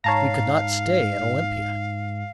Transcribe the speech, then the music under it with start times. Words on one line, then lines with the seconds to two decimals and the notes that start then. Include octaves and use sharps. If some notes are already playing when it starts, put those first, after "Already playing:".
We could not stay at Olympia.
0.04 G#2 C#5 F5 A5 A#5